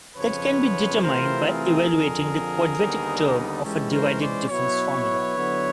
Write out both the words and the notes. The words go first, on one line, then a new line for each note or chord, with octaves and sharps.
That can be determined by evaluating the quadratic term of a divided difference formula.
F2 C#3 F3 B4 C#5
C3 E3 A3 C4 F4 A#4 C5
G#4 A#4
F2 D3 F3
D#2 D3 G3 B3 D#4
G#2 E3 G#3 C#4 G4 A4
A#4 C5
C5 D5
B2 F#3 B3 E4 B4 C#5
D3 F#3 B3 E4